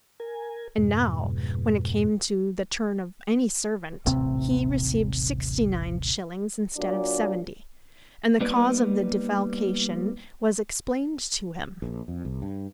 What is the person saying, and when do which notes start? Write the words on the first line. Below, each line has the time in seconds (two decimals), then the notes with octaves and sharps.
And now, when it came to the turn of any servant, he received sixty-nine shillings instead of seventy, and the cause of the defalcation was explained to him.
0.20 A#4 G#5
0.78 F2 G#2 B2
4.06 D#1 A1 C3 C4
6.76 A#2 F#3 D4
8.41 G3 A#3 B3 D#4 B4 D5
11.82 A#1
12.08 F2
12.25 C2
12.42 G2